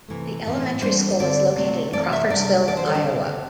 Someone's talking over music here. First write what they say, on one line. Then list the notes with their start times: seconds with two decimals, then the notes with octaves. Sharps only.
The elementary school is located in Crawfordsville, Iowa.
0.08 C3 E3 A3
0.45 A2 E3 C4
0.82 E3 G3 D4 C5
1.20 D3 C4 D5
1.56 C3 A3 C4
1.93 C3 E3 A3 D5
2.13 E5
2.30 C3 G3 D4 D5
2.67 E3 G3 D4 D5
2.77 C5
2.86 A4
2.95 D4
3.05 D3 C4